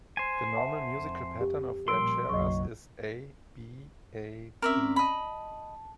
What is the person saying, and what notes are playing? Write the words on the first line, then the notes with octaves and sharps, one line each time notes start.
The normal musical pattern of rancheras is a-b-a-b.
C5 G#5
E5 F#5 A5
F2
G4
A#2 F3 G3 A#4 C6 E6 D7
F#1 B1 F#3 D#5 C#6
C4 C#4 A#4 D5 E5
D#5 A5 B5